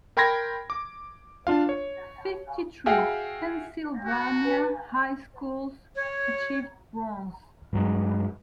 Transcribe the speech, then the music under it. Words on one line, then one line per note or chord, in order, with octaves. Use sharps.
Fifty three Pennsylvania high schools achieved bronze.
A#4 G5 B5 C6 G#6 A#6
D6
D4 F4 F5
C#5
F#4 G#4 E5 F5 G5
F#4
B4
C#5
G2 F#3 G#3